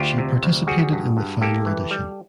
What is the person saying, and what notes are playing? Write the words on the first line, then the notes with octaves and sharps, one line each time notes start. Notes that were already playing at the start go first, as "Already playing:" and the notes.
She participated in the final audition.
Already playing: D2 F4 G4
C3
D2
G3 F#4 G#4
G2
G2
A#3 G4 A4
E3
G3